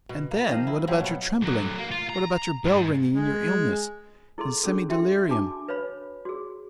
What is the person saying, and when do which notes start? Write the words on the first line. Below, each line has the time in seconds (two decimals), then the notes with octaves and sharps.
And then what about your trembling, what about your bell-ringing in your illness, in semi-delirium?
0.09 B2
0.31 A#3
0.48 D#3 F3 D#5 F5
0.67 E4
0.87 F3 F#3 C4
1.00 B2 B3
1.42 D3 F#3
1.77 A#3
1.91 F4
2.09 A#5
2.65 G#2
3.13 G#3
4.38 E4 G#4 A4 C6
4.64 C#4 D4 G#4 A4
4.89 F#4 E5 G5 C6
5.29 D4 F#4 G#5 A5 D6
5.68 B4 C#5 F5 B5
6.25 F#4 G#4